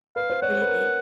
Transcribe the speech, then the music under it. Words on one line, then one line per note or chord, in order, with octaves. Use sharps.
What do you think?
B4 F5
C5
C#5 F#5
C5
B4
A#4